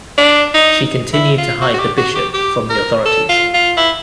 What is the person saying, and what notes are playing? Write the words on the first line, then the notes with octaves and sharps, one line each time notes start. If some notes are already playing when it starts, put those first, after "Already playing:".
She continued to hide the bishop from the authorities.
D4
D#4
E4
F4
F#4
F#4
G4
F#4
G4
G4
A#4
A4
F4
F4
E4